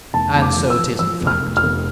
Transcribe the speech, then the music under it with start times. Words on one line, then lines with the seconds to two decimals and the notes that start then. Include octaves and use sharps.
And so it is in fact.
0.13 F1 A5
0.35 F1
0.42 D6
0.57 F3
0.70 E6
0.77 F3
0.99 F3 E6
1.20 F1
1.27 F6
1.42 F1
1.57 F6
1.63 F1